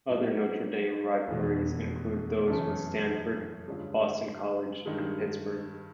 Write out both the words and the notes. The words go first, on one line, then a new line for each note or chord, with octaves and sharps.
Other Notre Dame rivalries include those with Stanford, Boston College, and Pittsburgh.
A2 F#3 B3 D#4
F1 E2 B2
F#2 C#3 E3 A3 C#4
G2 D3 F3 G#3 C#4
G2 D#3 G#3